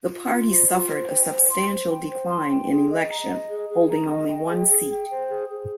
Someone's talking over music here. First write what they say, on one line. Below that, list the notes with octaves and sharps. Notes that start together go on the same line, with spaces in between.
The party suffered a substantial decline in the election, holding only one seat.
F4
F4
C5
F4
C5
G5
C5
C6
C5
G5
C5
C6
G5
G#4
D#5
A#5
D#5
G#4
G#4
A#5
D#5
G5
G#4
G#4
G5
C5
G#4
G#4